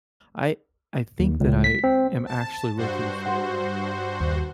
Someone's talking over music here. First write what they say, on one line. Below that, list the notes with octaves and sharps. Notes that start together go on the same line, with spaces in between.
I I think that I am actually looking for
D#2
C#2
B6
C4
A5
G2 F#4 C5
F#5 C6
D#2